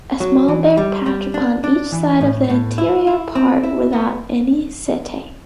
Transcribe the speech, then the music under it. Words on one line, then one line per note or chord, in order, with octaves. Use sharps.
A small bare patch upon each side of the anterior part without any setae.
F#3
E3
G3
G3
D4
D4
E3
A2
A2
E4
E4
C4
E4
B3